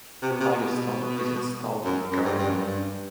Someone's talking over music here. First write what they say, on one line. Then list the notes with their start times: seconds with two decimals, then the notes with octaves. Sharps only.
Iyo Stone is installed in the garden.
0.22 C3
0.31 B2
0.40 C3
0.49 B2
1.84 F#2
2.11 F#2
2.25 G2
2.38 G2
2.49 F#2
2.61 G2